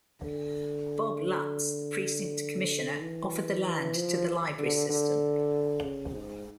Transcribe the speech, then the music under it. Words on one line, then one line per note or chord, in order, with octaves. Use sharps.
Bob Lutts, the precinct commissioner, offered the land to the library system.
D3
E3
F3
D3
D3
C#3
G#2